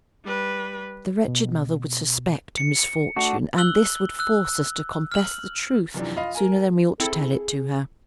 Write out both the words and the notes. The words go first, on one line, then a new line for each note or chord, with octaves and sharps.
The wretched mother would suspect a misfortune, and this would force us to confess the truth sooner than we ought to tell it to her.
G3 B4
B2
C#7
A3 D4 F#4
E6 F#6 F#7 G7
E6 F#6
F6 F#7
F#2 C3 E3 F3 D4
F4 D#5 F5 B5
A#4 G#5
C4 E4 G#4 A4